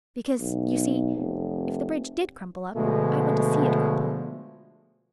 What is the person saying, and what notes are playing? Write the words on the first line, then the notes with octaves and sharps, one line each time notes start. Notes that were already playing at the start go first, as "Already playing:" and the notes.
Because, you see, if the bridge DID crumple up I'd want to SEE it crumple.
B1
F1
B2 D3 F3 G#3 A3